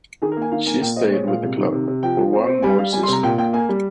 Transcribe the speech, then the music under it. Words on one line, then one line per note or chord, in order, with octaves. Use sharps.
She stayed with the club for one more season.
D#3 G#4
A#4
A#3 G#5
D#3 F5
A#3 G#5
A#2 G5
C4 D#5
G#3 C#5
A#2 F5
C3
D#3
C3
C3
F3 G5
F3
C4
C4
G3 G#5
G3 F5
G3 G#5
C6
C3 A#5
A#2 G5
A#2 G5
A#3 G#5
G3